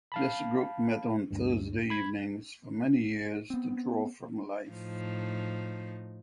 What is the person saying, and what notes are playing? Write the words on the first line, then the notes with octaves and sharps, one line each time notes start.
This group met on Thursday evenings for many years to draw from life.
F5 A5 B5
D2 G2
B5 G#6
B3 C4
A2 F3 D#4